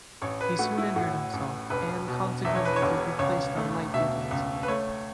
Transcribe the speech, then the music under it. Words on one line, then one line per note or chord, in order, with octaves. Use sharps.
He soon injured himself and consequently would be placed on light duties.
A1 C#5
B4
A3 F#4
E4
A2 F#4
A1
E1 B4
B2
E2 E5
C#5
B4
C#5
E1
C#2 C#5
A3
B2 E5
C#2
B4
A3 C#5